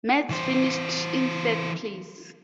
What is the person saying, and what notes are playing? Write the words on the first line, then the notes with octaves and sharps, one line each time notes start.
Metz finished in third place.
E3 C5